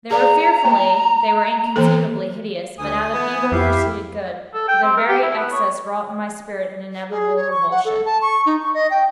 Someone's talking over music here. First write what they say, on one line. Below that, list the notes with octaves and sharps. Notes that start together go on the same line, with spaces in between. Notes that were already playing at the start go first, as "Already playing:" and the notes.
They were fearfully--they were inconceivably hideous; but out of Evil proceeded Good; for their very excess wrought in my spirit an inevitable revulsion.
G#4 D5 F5 A#5
A#3
E3 A#3 A4
D2 G#5 D#6
E3 B3
F2 E4 G4 E5 F5
A4
G5
C4
A#4
G4
E4
B3
C#5
G#4
C#5
C#6
F#5
A4
A5
C#6
D#4
C#6
D#5
G5